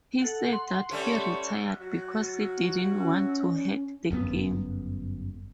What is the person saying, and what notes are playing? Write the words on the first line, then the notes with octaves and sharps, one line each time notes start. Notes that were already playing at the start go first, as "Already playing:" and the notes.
He said that he retired because he didn't want to hurt the game.
A4 F#5
F#5 C6
G3 A3 C#4
F#3 F#4
C#4
G1 F#2 C3 B3